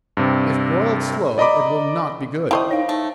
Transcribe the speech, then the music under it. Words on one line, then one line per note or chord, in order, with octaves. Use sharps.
If broiled slow, it will not be good.
G2 C3
D5 D#5 A#5 B5 D6
G3 E4 C5 D#5 A5 C#6
D#4 C#5 F5
A3 D#4